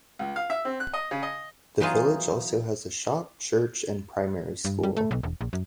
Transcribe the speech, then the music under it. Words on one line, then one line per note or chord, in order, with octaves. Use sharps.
The village also has a shop, church and primary school.
C#2
F5
E5
C4
F#6
D#5
C#3
D#5
E3 F#3 B3 D#4 F4 G#4
G2
G3
A3
B1
E1
A#1
F#2